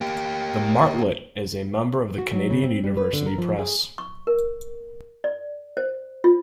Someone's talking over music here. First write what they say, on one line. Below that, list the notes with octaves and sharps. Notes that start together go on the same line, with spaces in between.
The Martlet is a member of the Canadian University Press.
A#3 G4
F#4
F#3
C#3
C4
G3
B4
D3
A#4
F3
G#4
C#6
A#4
D5
C5
F4